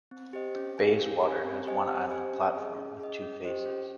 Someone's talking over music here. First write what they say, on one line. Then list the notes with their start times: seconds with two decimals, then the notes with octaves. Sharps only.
Bayswater has one island platform with two faces.
0.11 C4
0.33 G4 C5 D#5
0.56 C#4
0.78 G4 A#4 F5 G#5
0.99 C#4
1.22 G4 A#4 F5 G#5
1.44 C4
1.66 G4 C5 D#5 G#5
1.89 C4
2.11 G4 C5 D#5 G#5
2.33 C#4
2.55 G#4 D#5
2.77 C#4
3.00 G#4 D#5
3.22 C#4
3.44 G4 C5 D#5
3.65 C#4